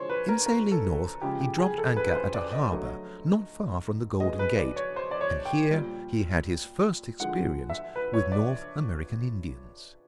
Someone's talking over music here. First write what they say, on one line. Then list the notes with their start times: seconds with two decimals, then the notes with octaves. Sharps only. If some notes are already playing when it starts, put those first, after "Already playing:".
In sailing north he dropped anchor at a harbor not far from the Golden Gate, and here he had his first experience with North American Indians.
Already playing: D3 F3 G#3 C5 C#5
0.09 B4
0.29 A#4
0.46 A#4
0.72 A4
1.22 C#3 F3 G#3 G4
1.41 G4
1.58 G#4
1.78 A4
1.96 B4
2.07 B4
2.15 C5
2.34 D5
2.53 D#5
2.72 D3 F#3 A3
4.20 B2 G#3 D#5
4.39 B4
4.58 D5
4.76 C#5
4.96 C5
5.11 D5
5.21 C#5
5.45 G5
5.71 A#2 G3
7.20 D3 F3 G#3 F#5
7.70 E5
7.96 B4
8.14 C#5
8.32 D5